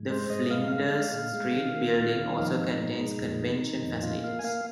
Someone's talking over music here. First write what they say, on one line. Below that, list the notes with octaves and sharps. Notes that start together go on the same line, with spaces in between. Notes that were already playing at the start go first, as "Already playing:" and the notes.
The Flinders Street building also contains convention facilities.
Already playing: G#2
G#3 C5
G#2 D#5
G#3 F5
G#3 F5
G#3
A#2
G#3
D#3
A#3
D#2
D#3
F3 D#4
G#2
G#2
G#3
F2
C3
D#3
F2
A#2 F4
A#3 F5
G#5
A#3 F5